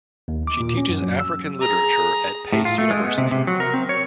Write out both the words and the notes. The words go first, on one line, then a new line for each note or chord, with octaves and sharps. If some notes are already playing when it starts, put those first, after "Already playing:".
She teaches African Literature at Pace University.
D#2
D6
A#2
C#4
F#2
F#3
E6
G#4 A#5
A2
F4
A3
G#3
B3
C3
C3
F#3
A#4
C4
C#5